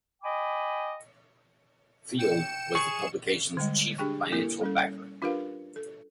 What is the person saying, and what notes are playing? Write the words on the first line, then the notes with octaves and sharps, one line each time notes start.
Field was the publication's chief financial backer.
D#5 G5 G#5 B5 D6
G5 C#7 E7
G#4 C#6
D3 G3 G#3 D#5
D4 G4 G#4 G5 C#6
A#3 E4 G4 A4 A#4
G3 C#4 A4
D4 F4 G4 A#4 B4 F5
A4